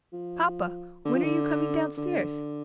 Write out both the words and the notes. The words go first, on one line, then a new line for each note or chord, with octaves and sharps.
Papa, when are you coming down stairs?
F3
D3
F3
D3
D3